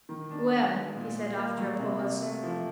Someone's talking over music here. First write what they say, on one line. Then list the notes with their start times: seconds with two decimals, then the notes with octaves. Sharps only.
"Well?" he said after a pause.
0.09 D#3
0.31 D4
0.51 B3
0.73 G#3
0.94 A#2
1.15 A#2
1.37 A#3
1.58 F#3
1.80 C3
2.00 C3
2.22 A3
2.43 F3